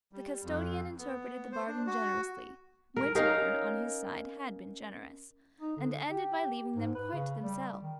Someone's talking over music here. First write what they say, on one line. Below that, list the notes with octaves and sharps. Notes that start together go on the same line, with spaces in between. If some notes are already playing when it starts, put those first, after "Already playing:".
The custodian interpreted the bargain generously--Winterbourne, on his side, had been generous--and ended by leaving them quite to themselves.
G3
F2
B3
C5
D4
F#4
A#4
C#4 D#4 A#4 F5
D#4
D3
G4
G#2
B4
C#3
G3
D#3